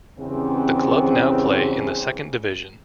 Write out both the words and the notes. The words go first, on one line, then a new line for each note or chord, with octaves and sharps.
The club now play in the second division.
E2 G2 C#3 C4